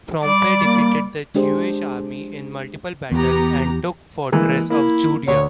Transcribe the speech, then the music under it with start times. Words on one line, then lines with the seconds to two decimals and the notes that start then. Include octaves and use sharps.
Pompey defeated the Jewish armies in multiple battles, and took the fortresses of Judea.
0.24 G3 D5
0.64 A#3
1.35 G#3 D4 G4 G#4 C5
3.11 E2 B3 G4 A#5
4.32 E3 G#3 A#3
4.70 A#3 E4
5.28 D2 C#5